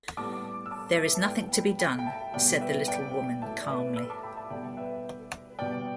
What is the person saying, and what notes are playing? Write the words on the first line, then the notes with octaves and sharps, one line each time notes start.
"There is nothing to be done," said the little woman, calmly.
A2 G3 B3 A5 D6
E6
A5 D6
B4 E5
A5
A2 G3 B3 D5 G5
G5 B5
G5 B5
G5
E5 A5
B2 G3 B3 D5 G5
B4 E5
D5 G5
A2 A3 E5 A5
D5
B4 E5
B5 E6
A5 D6
G5 B5
E5 A5
B2 G3 B3 D5 G5
B4 E5
B2 G3 B3 D5 G5